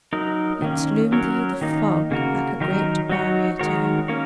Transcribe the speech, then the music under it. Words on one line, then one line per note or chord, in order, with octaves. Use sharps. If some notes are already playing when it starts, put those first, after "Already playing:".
It loomed through the fog like a great barrier to hope.
F#3 D#4 A#4
D#3 A#3 C#4
F#3 C#4 A#4 C#5
D#3 A#3 D#4
C#3 A#3 F#4 A#4
D#3 F#3 D#4 A#4
F#3 D#4 F#4 C#5
D#3 G#3 F#4 A#4 C#5
A#3 C#4 A#4 C#5